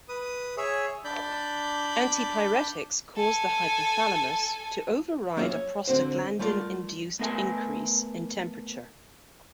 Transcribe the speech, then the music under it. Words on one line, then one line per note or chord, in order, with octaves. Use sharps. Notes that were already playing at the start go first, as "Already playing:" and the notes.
Antipyretics cause the hypothalamus to override a prostaglandin-induced increase in temperature.
B4 D#6
G#4 C#5 E5
D4 D5 B5 G6
A4 G#5
F#3 A#3 C#4 F4 G#4 E5
C#5
D3 C4 F#4 C5
G3 A3 F4 A#4 D5
A3 B3 A#4 E5 G#5